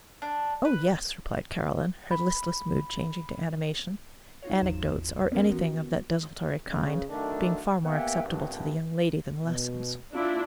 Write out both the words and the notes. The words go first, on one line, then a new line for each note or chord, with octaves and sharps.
"Oh, yes!" replied Caroline, her listless mood changing to animation; anecdotes, or anything of that desultory kind, being far more acceptable to the young lady than lessons.
D4
B4
B5
D#4 F4 F#4 C#5
G#1 E2 F#3 C5 E7
B3 C#4 G4 A#4 C5
E3 B3 F#4
C#3
D3 D#3 F#3 A3 D4
A#3 B3 G4 E5 F#5 G#5
F#1 C2 G2
B2
D4 E4 F4